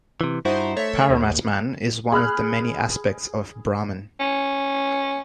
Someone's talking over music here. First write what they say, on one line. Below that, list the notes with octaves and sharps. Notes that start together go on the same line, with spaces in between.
Paramatman is one of the many aspects of Brahman.
C3 E3
G2 D#4 E4 F#4 C5
A3 C#5 E5
D#2
G#4 B5 F6 F#6
C#4